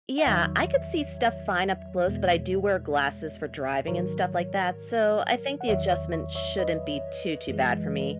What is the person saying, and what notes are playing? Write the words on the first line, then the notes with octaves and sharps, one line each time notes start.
Yeah, I could see stuff fine up close, but I do wear glasses for driving and stuff like that, so I think the adjustment shouldn't be too, too bad for me,
F#5
E2 D#3 F#3 C#5 E5
E2 B2 G#3
G#2 D#3 F#3 A#4 C#5
F#5
E2 D#3 F#3 C#5 E5
C#5 E5
C#5 E5
C#5 E5
B4 D#5
F#2 E3 G#3